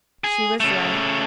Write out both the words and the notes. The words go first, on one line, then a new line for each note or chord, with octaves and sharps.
She was right.
G#4
C#3 A3